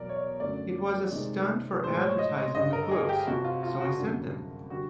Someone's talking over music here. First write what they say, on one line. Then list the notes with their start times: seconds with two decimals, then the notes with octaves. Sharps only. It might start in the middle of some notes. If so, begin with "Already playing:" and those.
It was a stunt for advertising the books, so I sent them.
Already playing: E2 B2 F#3 A#4 D5
0.09 C#5
0.16 D5
0.40 F#2 D3 F#3 A3 D5
1.12 C3 D#3 G#3
1.84 A2 F3 G#3 C5
2.02 C#5
2.19 D#5
2.37 D#5
2.55 G2 D3 G3 D#5
2.73 A#4
2.82 A4
2.92 G#4
3.09 G4
3.27 F2 C3 F3 F#4
3.44 F4
3.63 F4
3.80 F#4
3.98 F#2 D3 G3
4.70 D3 G3 F#4